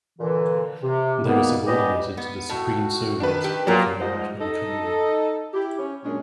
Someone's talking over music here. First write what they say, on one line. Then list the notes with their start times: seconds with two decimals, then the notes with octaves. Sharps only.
They were subordinated to the Supreme Soviet of the National Economy.
0.19 A#2 D3 E3
0.81 C3
1.23 B2 D#3 G3 A#3 B3
1.65 G3 B3 C#4 G4 B4 D#5
2.17 B3
2.49 A2 F#4
3.20 D#3 D4 B4
3.44 G4
3.67 A#2 F#3 B3 G4 A#4
4.00 G#2 F3 G3 C5 D#5 F#5
4.41 D#4 A4 D#5
5.54 E4 G4
5.78 C#4
6.04 F#2 A#2 G#3 C#4 D4